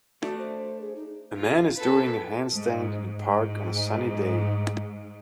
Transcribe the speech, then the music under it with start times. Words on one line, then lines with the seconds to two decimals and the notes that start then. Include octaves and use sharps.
A man is doing a handstand in a park on a sunny day.
0.22 A3 D4 F#4
0.38 C5
0.81 G#4
0.96 D#4
1.36 F4
1.76 A4 B4
2.52 G#2
3.20 G#2